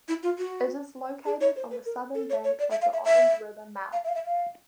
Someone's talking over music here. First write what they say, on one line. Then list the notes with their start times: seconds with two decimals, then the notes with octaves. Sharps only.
It is located on the southern bank of the Orange River mouth.
0.08 E4
0.23 F4
0.38 F#4
1.26 G#4
1.41 C#5
1.56 C5
1.71 B4
1.85 A#4
2.14 A4
2.30 C#5
2.44 C#5
2.59 D5
2.70 E5
2.82 F5
2.93 E5
3.04 E5
3.92 F5
4.04 E5
4.09 F5
4.15 E5
4.26 F5